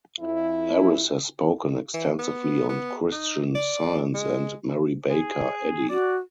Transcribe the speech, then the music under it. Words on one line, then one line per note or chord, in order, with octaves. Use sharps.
Harris has spoken extensively on Christian Science and Mary Baker Eddy.
F2 E4
E3
B3
B3
D#4
D5
G#3
G#4
F#4 D5